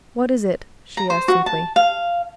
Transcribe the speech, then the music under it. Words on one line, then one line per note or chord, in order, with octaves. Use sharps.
"What is it?" she asked simply.
A#5
C5
F#4
A5
F5